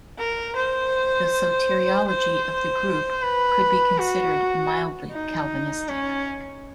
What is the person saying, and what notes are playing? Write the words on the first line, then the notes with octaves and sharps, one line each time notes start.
The soteriology of the group could be considered mildly Calvinistic.
A#4
C5
C5
B4
F#4
D#4
C#4